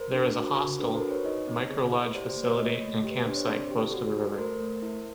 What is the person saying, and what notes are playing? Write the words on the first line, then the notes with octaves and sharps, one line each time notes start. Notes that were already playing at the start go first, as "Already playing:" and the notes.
There is a hostel, microlodge facility and campsite close to the river.
Already playing: A#4 C5
D4
F#4
F#4
D4 A4 B4
A#4 C5
F#4
B4 C#5
D#4 C#5 D#5
C4
G#4
E4
G4 C5 D5
C5 D5
A#3
B4 C#5
A3 C#5 D#5
A3
G4
B4
D4 C5
C#5
C4 C5 D5
G4
F#4
A4
A3 A#4 C5
A3
E4